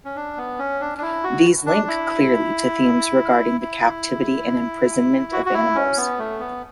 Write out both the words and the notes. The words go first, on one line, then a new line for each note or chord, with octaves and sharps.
These link clearly to themes regarding the captivity and imprisonment of animals.
C#4
D4
B3
C#4
D4
D4
E4
F#4
D4
E4
E4
F#4
F#4
E4
C#4
B3
A3
B3